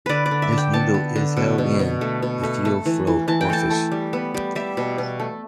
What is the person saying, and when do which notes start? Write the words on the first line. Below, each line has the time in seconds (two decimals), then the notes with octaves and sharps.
This needle is held in the fuel flow orifice.
0.06 D3 B4 D5
0.26 D5
0.31 D3
0.42 E5
0.52 D3
0.58 G5
0.73 B3 A5
0.94 B3
1.16 D3
1.37 B2
1.58 B2
1.79 B2
2.01 A3
2.22 B2
2.43 A3
2.65 A3
2.86 E3
3.07 E3
3.28 E3 A5
3.41 G5
3.50 A3 A5
3.71 A3
3.92 G3
4.13 B3
4.34 G3
4.55 G3 E5
4.77 B2
4.98 B2
5.20 A3